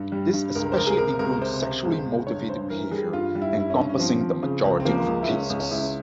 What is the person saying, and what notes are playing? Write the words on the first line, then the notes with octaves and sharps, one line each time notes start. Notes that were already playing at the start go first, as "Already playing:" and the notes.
This especially includes sexually motivated behaviour, encompassing the majority of cases.
Already playing: G2
G3
G2
C#2 A#4
C5
C#2 A#4
G#4
C3 A#4
C#2 A#4
C3 C5
C3
C#2
C#2
G2 C#5
G2 C5
E3 A#4
G3 G#4
G2 F4
G3
E4
G2 E4
C#4
G2
C#4
F3 C4
F3
C#3
C#2
C4
F3 A#3
C#2
E4
C#2 C#4
C#2
C#4
C#2 E4